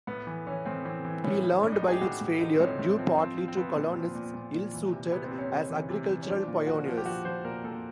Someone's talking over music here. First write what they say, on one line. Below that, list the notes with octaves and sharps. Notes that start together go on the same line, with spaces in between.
He learned by its failure, due partly to colonists ill-suited as agricultural pioneers.
A2 B3
E3
E3 C#4
A2 C4
E3 C4
E3
A2 C#4
A2
A2 D4
D#4
A2 G#4
G4
A2 F#4
A2
F3 D#4
C4
A2 C#4
A2 C4
F3 C4
F3 C4
F3
C4
F3 B3
A#2
F3
A#2
A#2
A#2
E3
C3
C3 B3
C4
C3
C#4
C3
E3
C3
E3
C#4
F3 D4
A#2
F3 F#4
F3
G4
F3 F#4
F3 C5
A#2 A#4
A#2 A4